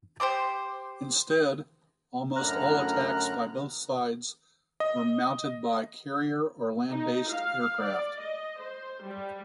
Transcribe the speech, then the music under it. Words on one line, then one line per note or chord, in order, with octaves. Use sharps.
Instead, almost all attacks by both sides were mounted by carrier or land-based aircraft.
G4 C5 C6 D6
F#2 A2 D3 A#5 F6 F#6
D#5
D#4
F5
D5
D#5
C5
G3